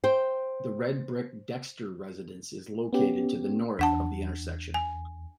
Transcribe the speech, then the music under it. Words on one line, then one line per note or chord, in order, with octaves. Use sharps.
The red-brick Dexter residence is located to the north of the intersection.
C5 G5
B3 C#4 G4
E2 D4 F#5 A5
G#5